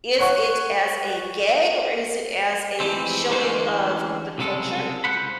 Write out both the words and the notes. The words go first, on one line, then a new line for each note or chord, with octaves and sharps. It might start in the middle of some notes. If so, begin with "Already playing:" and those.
Is it as a gag, or is it as a showing of the culture,
C#5 F#5 C#6
E3 F3 G#3 A3 C4
D3 E3 G#3 A3 C#4 C5
C2 C#3 F#3 G#3 A4
C#2 B2 C5 F#5 B5